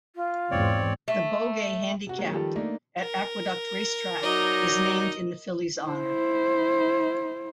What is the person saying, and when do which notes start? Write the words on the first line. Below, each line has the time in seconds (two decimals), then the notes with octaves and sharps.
The Beaugay Handicap at Aqueduct Racetrack is named in the filly's honor.
0.15 F4
0.51 E2 G#2 C4 C#5 D5
1.08 A3
2.07 C3 F#4
2.18 F#3 G#3 A#3
2.31 D#3 F3 G3 G4 A4
2.56 A3 A#3 D4 D#4
3.00 A#4
4.23 F#3 D#4 D5 D#5
5.84 E4 C5